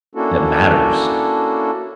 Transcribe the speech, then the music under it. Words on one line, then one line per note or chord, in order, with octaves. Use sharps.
that matters.
A#3 C#4 D4 E4 F#4 A4